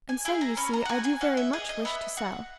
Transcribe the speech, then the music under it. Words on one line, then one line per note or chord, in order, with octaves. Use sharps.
"And so you see, I do very much wish to sell."
G#5
E4 G#4 G#5
A#5
C#4 B5
A#5
F#5
F#4 G#5
G#5
C#4 F#5
E5
G#4 D#5
D#5
B3 E5
F#4 F#5